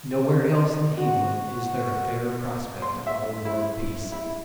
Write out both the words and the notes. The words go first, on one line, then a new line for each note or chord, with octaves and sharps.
Nowhere else in England is there a fairer prospect of old-world peace.
F#4
C6
E5
E4
E4